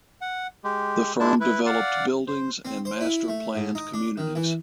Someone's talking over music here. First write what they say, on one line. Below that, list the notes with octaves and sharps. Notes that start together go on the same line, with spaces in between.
The firm developed buildings and master planned communities.
F#5
G#3 G4
G#3 D4 E4 A5
E4 B4
D5 F5 F#5
C5
C4
C5
E4
A3
G#2
D#4
D4
D#3
E3